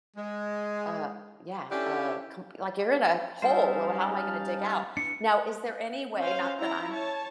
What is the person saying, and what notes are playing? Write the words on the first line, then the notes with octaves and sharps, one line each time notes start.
uh, yeah, uh, com like you're in a hole, "L how am I gonna dig out?" Now, is there any way, not that I'm
G#3
C#4 D4 E4 G4 A4
G3 C#4 D#4 E4 C5 F5 A5
F6
D4 E4 B4 C#7
C#4 C5 F5
E4 A#5
C#5 A5